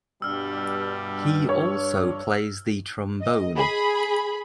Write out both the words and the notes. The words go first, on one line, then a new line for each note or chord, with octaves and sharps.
He also plays the trombone.
G2 B2 G3 E6 F6
C#5
D#5
G#4 B5